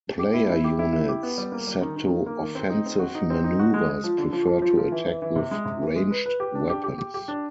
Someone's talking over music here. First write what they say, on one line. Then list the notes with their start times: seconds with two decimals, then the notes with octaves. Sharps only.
Player units set to offensive maneuvers prefer to attack with ranged weapons.
0.19 G4
0.34 E4
0.49 E4
0.64 G4
0.79 E4
0.93 E4
1.08 G4
1.23 B3
1.38 G3
1.52 A#3
1.67 G3
1.81 D#3
1.96 D#3
2.11 D#3
2.26 A#3
2.41 D#3
2.55 C4
2.70 D#4
2.86 C4
2.99 F#4
3.15 D#4
3.30 C4
3.44 D#4
3.59 F#4
3.74 G#3
3.89 G#3
4.04 F3
4.18 D3
4.33 F3
4.47 F3
4.62 F3
4.78 F3
4.92 E3
5.06 E3
5.22 E3
5.36 C3
5.51 G#3
5.65 C3
5.81 E3
5.96 G#3
6.11 B4
6.26 B4
6.40 G4
6.55 D4
6.70 G4
6.84 G4
6.99 G4
7.14 G4
7.28 D4